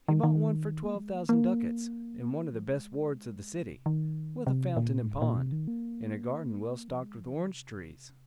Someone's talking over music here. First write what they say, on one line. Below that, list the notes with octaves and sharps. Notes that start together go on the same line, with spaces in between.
He bought one for twelve thousand ducats, in one of the best wards of the city, with a fountain and pond, and a garden well stocked with orange trees.
D#3
D#3
A#3
F3
G#3
A#3
A#3
F3
G#3
A#2
C3
D#3
C3
A#2
G#2
A#2
C3
D#3
A#3
F3
G#3
F3
D#3
C3